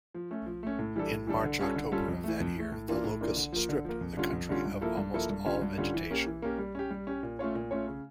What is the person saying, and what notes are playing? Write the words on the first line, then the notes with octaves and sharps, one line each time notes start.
In March-October of that year, the locusts stripped the country of almost all vegetation.
F3
A3 C#4
F3
A3 C#4
A2
E3 G3 D4 A4
A2
E3 G3 D4 A4
D3
G3 C#4 F4 A4
D3
G3 C#4 F4 A4
F2
E3 A3
F2
E3 A3
A2
E3 A#3 D4 F4
A2
E3 A#3 D4 F4
D3
F3 A#3
D3
F3 A#3
F2
D3 G3 C#4 F4
F2
D3 G3 C#4 F4
G2
F3 A#3 E4 A4
G2
F3 A#3 E4 A4
G2
D3 G3 C#4 F4
G2
D3 G3 C#4 F4
E3
A#3 C#4 G4
E3
A#3 C#4 G4
G3
C#4 G4
G3
C#4 G4
A#2
A3 C#4 F4 C#5
A#2
A3 C#4 F4 C#5
C#3